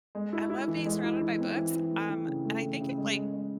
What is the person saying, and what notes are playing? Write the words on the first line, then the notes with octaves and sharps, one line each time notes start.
I love being surrounded by books. Um, and I think it like
G#3
E4
E4
E3
G#3
E4
E3
C4
E3
E3
A3
E3
C#3
A3
E3
C#3
G#3
G#3
G#3